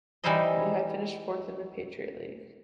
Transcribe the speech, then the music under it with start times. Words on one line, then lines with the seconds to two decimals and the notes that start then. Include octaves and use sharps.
Lehigh finished fourth in the Patriot League.
0.24 E3 G3 D#4 E4 C5 D#5